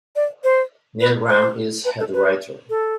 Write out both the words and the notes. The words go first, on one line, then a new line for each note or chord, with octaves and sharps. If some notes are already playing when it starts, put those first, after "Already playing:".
Neil Grahn is head writer.
D5
C5
B4
C5
B4
A4
B4
A4